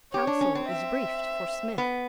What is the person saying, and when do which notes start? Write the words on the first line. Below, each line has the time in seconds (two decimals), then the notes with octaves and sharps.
Counsel is briefed for Smith.
0.13 G4 C#5
0.27 D4
0.41 C#4
0.55 C4
0.68 E5
1.78 B3